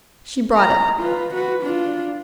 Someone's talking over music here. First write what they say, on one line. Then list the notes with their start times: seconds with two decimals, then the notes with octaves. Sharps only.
She brought it.
0.55 A#5
1.00 F4 B4
1.34 F#4 B4
1.63 D4 F4